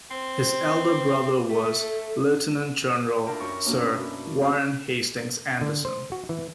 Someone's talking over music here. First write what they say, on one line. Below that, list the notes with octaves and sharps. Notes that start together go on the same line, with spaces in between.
His elder brother was Lieutenant General Sir Warren Hastings Anderson.
C4 C5
A3 A4
D4 E4 F4 A4 A#4 G5
F#2 C#6
F#2 B2 A#3 C#4 D4
E4 F#4
C4 D4 F5
D3
C5
F#4
E3